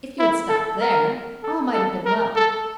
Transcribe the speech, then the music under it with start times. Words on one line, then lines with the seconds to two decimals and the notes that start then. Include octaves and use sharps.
If you had stopped there, all might have been well.
0.19 E4
0.49 A4
0.81 A#4
1.43 A4
1.73 A4
2.05 A#4
2.36 A4